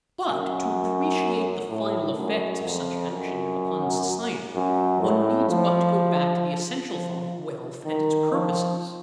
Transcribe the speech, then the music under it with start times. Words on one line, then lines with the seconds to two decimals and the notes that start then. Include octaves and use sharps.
But, to appreciate the final effects of such action upon society, one needs but to go back to the essential thought of wealth and its purposes.
0.27 F#2
1.69 A2
2.17 F#2
2.64 F2
3.12 F#2
4.55 F#2
5.01 A2
5.48 F3
6.91 F3
7.85 D#3
8.32 F3